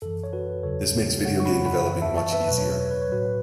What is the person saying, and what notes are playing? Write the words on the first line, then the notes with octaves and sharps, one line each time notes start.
This makes video game developing much easier.
F#2 E3 A4
C#5
F#4 B4
E2 C#3 F#3 A4 C#5
F#2 C#3 F#3 C#5 F#5
C#6
F#5 B5
F#5 B5
F#2 E3
E5 A5
A5 C#6
B4 E5
E2 B2 F#3 B4
C#5
B4
C#5
B4
C#5
A2 F#3 F#4 B4